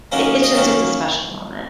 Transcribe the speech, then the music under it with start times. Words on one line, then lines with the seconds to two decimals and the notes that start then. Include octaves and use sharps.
it it's just it's a special moment.
0.12 D#3 F#3 A#3 C#4
0.43 D#5
0.54 D#3 F#3 A#3 C#4 C#5